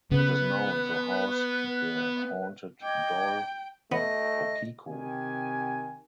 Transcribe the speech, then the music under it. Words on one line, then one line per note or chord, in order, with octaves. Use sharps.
It is known to house the haunted doll Okiku.
C#3 B3 B4
D#5 G5 D6 G#6
A3 B3 D#5
C3 D#3 G4 G#5